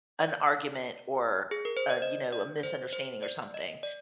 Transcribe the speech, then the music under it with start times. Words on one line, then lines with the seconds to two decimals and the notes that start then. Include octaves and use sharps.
an argument or, uh, you know, a misunderstanding or something.
0.20 D5
1.51 G#4
1.65 A#4
1.77 C5
1.90 D5
2.02 D#5
2.33 D5
2.63 C5
2.93 C5
3.23 D5
3.54 D#5
3.83 D5